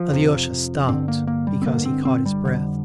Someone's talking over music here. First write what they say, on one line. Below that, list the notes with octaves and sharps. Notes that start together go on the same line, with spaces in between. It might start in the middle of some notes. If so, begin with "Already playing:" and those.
Alyosha stopped, because he caught his breath.
Already playing: F3
F2 C3
G2 D3 C4
A#3
A#3
G3
C4
G2 D3 A#3
C4
C4
G3
F2 D3